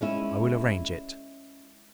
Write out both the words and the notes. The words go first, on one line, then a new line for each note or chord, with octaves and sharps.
'I will arrange it.
G#3 C#4 E4